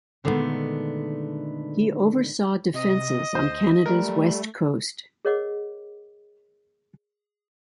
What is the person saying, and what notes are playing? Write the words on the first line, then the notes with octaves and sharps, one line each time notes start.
He oversaw defences on Canada's West Coast.
A#2 D3 D#3 G#3 A3 B3
C3 D#5
D2 C5
G3 A3 A#4
G#4 A#4 C#5 D#5 F#5 D6